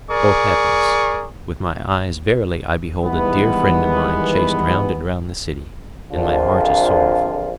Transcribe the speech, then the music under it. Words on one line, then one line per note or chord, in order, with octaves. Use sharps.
'O heavens! with my eyes verily I behold a dear friend of mine chased round and round the city, and my heart is sorrowful.'
G#4 A#4 D5 C#6
E2 D#3 E3 G3 G#3 B3
A#1 F2 D3 F4